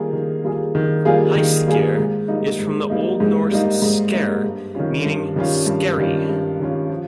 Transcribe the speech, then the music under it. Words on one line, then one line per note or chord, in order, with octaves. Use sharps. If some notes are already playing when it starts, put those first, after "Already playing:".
Hyskeir is from the Old Norse "sker" meaning skerry.
Already playing: D#3 G3 A#3 F4 G#4
D#3
G3 A#3 F4 G#4
D#3
G3 A#3 F4 G#4
D#3
G3 A#3 F4 G#4
G#2
G3 A#3 D#4
G#2
G3 A#3 D#4
G#2
G3 A#3 D#4
G#2
G3 A#3 D#4
G2
D#3 G3 C#4 F4
G2
D#3 G3 C#4 F4
G2
D#3 G3 C#4 F4
G2
D#3 G3 C#4 F4
F3